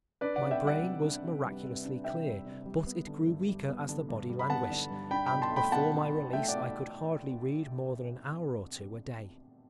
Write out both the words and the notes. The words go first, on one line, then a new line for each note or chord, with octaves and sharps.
My brain was miraculously clear, but it grew weaker as the body languished; and before my release I could hardly read more than an hour or two a day.
D4 B4 D5
D5 F#5
C3
E5 G5
G3
D5 F#5
C3
D4
C3
G3
C3
D4
C3 E5 G5
G3
C3
G3
B3
D3
G2
G3
B3
D3
G2
G3
B5
B3 F#5 A5
D3
G2
D4 G5 B5
B2 G5 B5
A5 C6
A3
G5 B5
B2 F#5 A5
D4
B2
A3 E5 G5
D5 F#5
B2